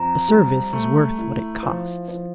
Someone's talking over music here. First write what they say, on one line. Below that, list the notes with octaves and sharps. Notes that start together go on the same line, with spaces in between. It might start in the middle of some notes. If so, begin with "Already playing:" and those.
A service is worth what it costs.
Already playing: F2 A#5
G3
A3
E4
F3
F3